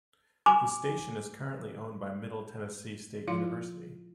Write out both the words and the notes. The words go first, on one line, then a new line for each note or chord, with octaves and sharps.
The station is currently owned by Middle Tennessee State University.
G#5 D6
F3 E4 F4 F5 C6